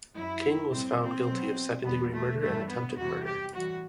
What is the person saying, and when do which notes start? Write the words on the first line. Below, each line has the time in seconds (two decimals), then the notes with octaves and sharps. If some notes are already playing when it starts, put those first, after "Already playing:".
King was found guilty of second-degree murder and attempted murder.
0.15 F#2 F#3 E4
0.72 A2 G3 C4
1.00 C4
1.28 B2 F#3
1.84 E2 D3 G3 B3
2.13 A3
2.41 G2 E3 G3 A3
2.69 B3
2.97 E2 C3 E3 G3 F#4
3.25 G4
3.54 A2 E3 G3 F#4